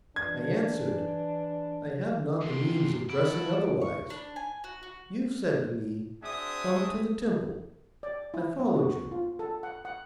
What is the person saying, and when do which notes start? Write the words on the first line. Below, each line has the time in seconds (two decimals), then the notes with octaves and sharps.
I answered, 'I have not the means of dressing otherwise.' You said to me, 'Come to the Temple.' I followed you.
0.16 E3 D4 G#6
2.41 G#2 C3 C6
3.09 E4 F#4 A5 D7
3.81 C#6
4.10 D4
4.36 G#5
4.64 F#4
4.83 F#4
6.23 C4 D4 F#4 G#4 E5 D#6
8.03 D5
8.34 E4
8.59 B3
8.75 F#4
9.11 F4
9.39 A4
9.63 F#5
9.85 F#5